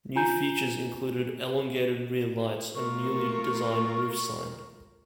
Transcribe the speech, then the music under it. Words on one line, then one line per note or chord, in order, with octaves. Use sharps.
New features included elongated rear lights and a newly designed roof sign.
F4 G#5 A#5 G6
A3 F4 A#4 C#6